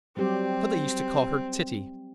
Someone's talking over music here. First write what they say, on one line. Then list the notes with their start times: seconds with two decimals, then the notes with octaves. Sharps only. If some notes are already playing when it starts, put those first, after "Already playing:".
So they used to call her Titty.
0.17 F#3 G3 C4 G4